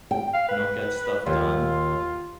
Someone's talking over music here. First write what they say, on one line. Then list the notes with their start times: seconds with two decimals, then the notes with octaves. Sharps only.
you know, get stuff done
0.11 G5
0.34 F5
0.49 B4
1.26 D#2 F4